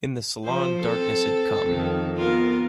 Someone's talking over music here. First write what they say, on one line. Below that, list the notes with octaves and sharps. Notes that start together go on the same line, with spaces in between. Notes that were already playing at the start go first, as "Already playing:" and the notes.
In the salon darkness had come.
F3 C5
C4 A4
F2 D#3
B3 F4 A#4